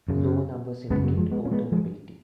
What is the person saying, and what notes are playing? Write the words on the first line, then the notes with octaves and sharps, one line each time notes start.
Lower numbers indicate older nobility.
F#2 C#3
F#2 C#3 G#3 B3
F#3 A#3
F3 G#3
G#3 B3
C#4
G#3 B3
F3 G#3